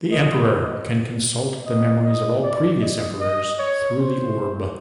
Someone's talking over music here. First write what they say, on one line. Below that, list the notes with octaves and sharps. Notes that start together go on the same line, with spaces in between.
The Emperor can consult the memories of all previous emperors through the Orb.
D#5
D#5
D#5
D5
D#5
D#5
C#5
C5